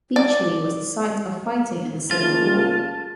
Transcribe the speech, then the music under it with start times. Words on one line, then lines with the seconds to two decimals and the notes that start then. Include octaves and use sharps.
Beachley was the site of fighting in the Civil War.
0.16 D5
2.11 C#3 A3 A#3 F4 A5 A6